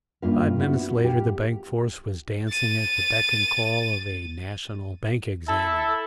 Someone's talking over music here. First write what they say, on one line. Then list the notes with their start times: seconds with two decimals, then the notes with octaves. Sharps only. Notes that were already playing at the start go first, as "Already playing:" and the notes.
Five minutes later the bank force was dancing at the beck and call of a national bank examiner.
0.22 G2 A#3 C#4 F4 E5 F5
0.57 B3 E4 F#4
1.04 G4 F5
2.49 A6 D#7
5.48 E4 A4